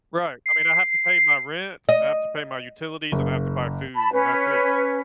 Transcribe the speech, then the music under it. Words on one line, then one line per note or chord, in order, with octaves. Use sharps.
Right, I mean, I have to pay my rent, I have to pay my utilities, and I have to buy food, and that's it.
C7
D#5
F#1
A5 B5
C#4 B4